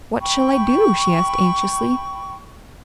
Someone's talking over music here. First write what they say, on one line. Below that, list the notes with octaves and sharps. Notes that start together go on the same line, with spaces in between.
"What shall I do?" she asked anxiously.
G5 B5 C#6